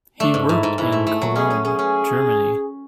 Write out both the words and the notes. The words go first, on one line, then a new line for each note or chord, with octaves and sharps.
He worked in Cologne, Germany.
A3 D4
G#2
G#2 E4
G#2
G#2 E4
A3
A3
F#3
C#4 G#4
C#4
C#4 G#4
C#4